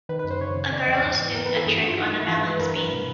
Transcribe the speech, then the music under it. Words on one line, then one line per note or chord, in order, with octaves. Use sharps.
A girl is doing a trick on a balance beam.
D#3 B4
B4
F#2
C5
C#3 C#5
C#3
C#3 D5
D#5
E2 D5
G#2
E3
E3 A#4
B4
E3
A4
G2 G#4
G2 F#4
F4
D#3 F#4
G2
E4
F#4
E3 F4
B4
E3
B4
G2 A#4
G2 B4
B2